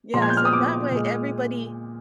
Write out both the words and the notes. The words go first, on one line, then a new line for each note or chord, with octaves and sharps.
Yeah, so that way, everybody
A#2 F3 G#3 C6
G#6
G6
F6
D#6
D6
A#2 G#3